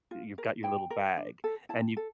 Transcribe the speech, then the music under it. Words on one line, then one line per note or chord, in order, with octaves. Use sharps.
you've got your little bag, and you
F4
A#4
E4 G5
A#4
D4
A4
E4 A5
A4